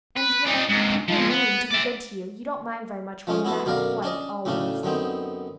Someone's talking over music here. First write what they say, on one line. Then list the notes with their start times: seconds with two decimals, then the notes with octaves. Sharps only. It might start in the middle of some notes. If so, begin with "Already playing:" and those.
And when people mean to be good to you, you don't mind very much when they're not quite--always.
0.17 B4
0.46 D#4 D5
0.69 G#2 C3
1.08 F3 G#3
1.30 B3
1.71 D5 E5
3.27 F3 G#3 A3 C#4
3.45 B3 E4 F#4 A4 B4
3.65 F#2 B2 D3 A#4 D5 F5
4.02 C#4 D4 D5 D#5
4.45 D2 A2 C#3 C#4 D4
4.83 F#2 D3 B3 C4 D#4